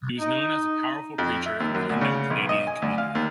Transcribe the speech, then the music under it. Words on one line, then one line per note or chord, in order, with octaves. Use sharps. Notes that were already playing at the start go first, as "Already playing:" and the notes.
He was known as a powerful preacher in the Indo-Canadian community.
D#4
F2
E5
D#2
F#2
D2
C#3
B1
D#5
G#5
D2
F5
D#2